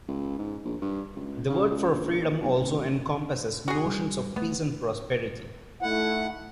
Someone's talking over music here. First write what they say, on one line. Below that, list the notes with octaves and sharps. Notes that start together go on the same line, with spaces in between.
The word for freedom also encompasses notions of peace and prosperity.
C#2
G#2
A#1
G2
C#2
C#3
C#2
A#1
A#2
B1
A1
F#4 G#4
G3
A3 B3
A3 D#4 E4 F#5